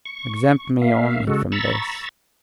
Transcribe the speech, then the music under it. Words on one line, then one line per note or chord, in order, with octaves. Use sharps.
Exempt me only from this!
C#6
A#3 E5 F5
C#3 G#3 F#4 A4
A#5 B5 C#6 E6 A6